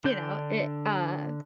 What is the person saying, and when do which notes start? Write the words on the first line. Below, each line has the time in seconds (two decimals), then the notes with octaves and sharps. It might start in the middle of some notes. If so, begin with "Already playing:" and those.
you know, it uh,
0.04 D3 D4 G5 G6